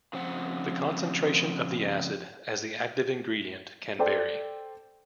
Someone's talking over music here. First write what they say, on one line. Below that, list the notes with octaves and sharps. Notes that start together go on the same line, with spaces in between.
The concentration of the acid as the active ingredient can vary.
C#3 F3 C4 F#5
A4 C5 D5 G5